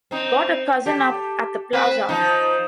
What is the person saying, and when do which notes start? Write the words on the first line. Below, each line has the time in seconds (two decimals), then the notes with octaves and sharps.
Got a cousin up at the Plaza.
0.11 C4 D#4
0.86 G4 A4
1.73 C4 B4
2.09 F3 D#4